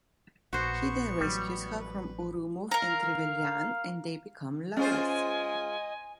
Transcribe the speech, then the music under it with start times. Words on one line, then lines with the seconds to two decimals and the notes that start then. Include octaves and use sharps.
He then rescues her from Ourumov and Trevelyan, and they become lovers.
0.53 A#1 B3 F#4 C5 C#6
1.21 A1 F#3 G3
1.80 B4
2.71 A#4 F5 A#5
4.77 G#3 C#4 F4 C5 D#5 G#5